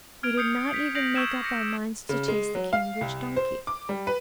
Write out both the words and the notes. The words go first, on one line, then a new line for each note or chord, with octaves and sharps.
We did not even make up our minds to taste the Cambridge donkey.
F6 G#6 D7 F7
D#6 G6 C7 C#7
D#6 B6
G6 A#6 C7 D7 F7 F#7
C#6 E6 G6 G#6 D7 E7
D6 A#6 C#7
C#3
G#3
F#3
F5
C2
C5
D6
G3
B4